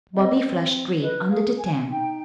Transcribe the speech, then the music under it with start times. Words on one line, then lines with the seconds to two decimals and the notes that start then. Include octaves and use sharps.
Bobby flushed red under the tan.
0.15 C4 D#5
0.28 B3
0.41 C4
1.01 B4 D#5
1.31 G#4 F5
1.60 G#5
1.89 D#4 G5